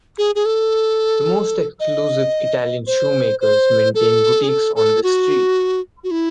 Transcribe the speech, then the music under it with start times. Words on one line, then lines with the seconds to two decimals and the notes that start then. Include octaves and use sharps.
The most exclusive Italian shoemakers maintain boutiques on this street.
0.18 G#4
0.35 G#4
0.45 A4
1.80 D#5
2.87 C5
3.41 C5
3.95 A4
4.43 G#4
4.48 A4
4.76 A4
5.03 F#4
6.04 F#4
6.11 E4